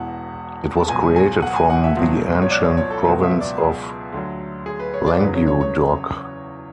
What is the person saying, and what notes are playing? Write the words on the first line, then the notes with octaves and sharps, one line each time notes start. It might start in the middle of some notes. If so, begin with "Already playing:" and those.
It was created from the ancient province of Languedoc.
Already playing: E1 E2 B2 F#5
A5
C#2 B2 F#3 G#5
G#5
F#5
G#5
F#5
E5
C#2 B2 F#3
C#5
D5
C#5
C#5
A4
C#2 B2 F#3 B4
E5
D5
G#4
D2 D3 F#3
G#4
B4
C#5
D5
E2 C#3 F#3 B4
C#5
C#5
C#5